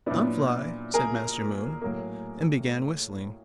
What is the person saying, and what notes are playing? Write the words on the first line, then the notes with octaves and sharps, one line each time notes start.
"I'm fly," said Master Moon, and began whistling.
A#2 F#3 B3 D4 E4
G#4 A#4
A2 F#3 A#3